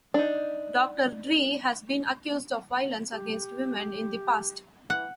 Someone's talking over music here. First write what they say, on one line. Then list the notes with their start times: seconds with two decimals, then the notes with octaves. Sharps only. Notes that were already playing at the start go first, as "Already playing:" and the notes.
Doctor Dre has been accused of violence against women in the past.
0.14 D4 D#4
3.13 G4
4.90 E3 F#5